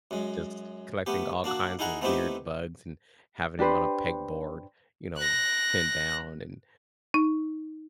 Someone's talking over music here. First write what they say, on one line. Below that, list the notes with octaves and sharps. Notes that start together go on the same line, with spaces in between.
just collecting all kinds of weird bugs and having 'em on a pegboard, you know, pinned down and
F#2 G#3
A3 B3 G4
A#3 D4 F#4
D#4 E4 G#4 F#5 A#5
A3 B3 C4 D#4 E4 G4
D4 G4 B4 C5
F#6 A#6
D#4